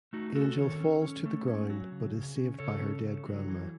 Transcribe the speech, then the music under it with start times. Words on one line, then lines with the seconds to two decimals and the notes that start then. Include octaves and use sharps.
Angel falls to the ground but is saved by her dead grandma.
0.13 A3 D#4 F#4
0.35 C#4 F#4 A4
0.57 D#3 A4 C#5
0.80 C#4
1.02 C#4
1.26 A3
1.48 C#4
1.70 F#3
1.92 C#3
2.14 C#3
2.36 C#4
2.59 C#3 A4 C#5
2.82 C#4
3.03 C#3
3.26 F#3
3.49 E3